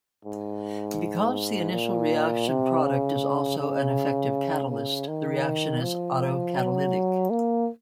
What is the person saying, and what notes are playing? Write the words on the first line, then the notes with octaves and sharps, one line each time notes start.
Because the initial reaction product is also an effective catalyst the reaction is autocatalytic.
G#2
A#2
C3
C#3
C#3
C#3
D#3
F3
F#3
A#3